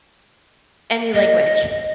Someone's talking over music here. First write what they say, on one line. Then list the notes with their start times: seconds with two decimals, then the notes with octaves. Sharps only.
any language,
1.14 D#5